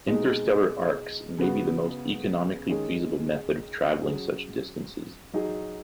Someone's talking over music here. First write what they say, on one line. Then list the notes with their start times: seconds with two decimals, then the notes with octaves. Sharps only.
Interstellar arks may be the most economically feasible method of traveling such distances.
0.07 B2 G#3 D#4
1.38 C#3 B3 F#4
2.69 D#3 G#3 C#4 G#4
4.02 F#3 C#4 G#4
5.33 F#3 D#4 G#4